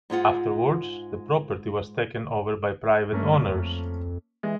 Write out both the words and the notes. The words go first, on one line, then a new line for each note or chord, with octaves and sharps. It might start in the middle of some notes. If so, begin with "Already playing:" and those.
Afterwards, the property was taken over by private owners.
G#2 G#3 F4 F#5
G2 A3 A#3 C#4
F2
E3 G#3